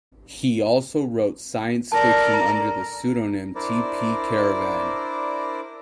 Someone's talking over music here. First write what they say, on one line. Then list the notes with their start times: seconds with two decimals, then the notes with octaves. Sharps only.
He also wrote science fiction under the pseudonym T. P. Caravan.
1.92 A4 A#4 D5 A5
2.34 A#5
3.55 D4 E4 A#4 C5 D5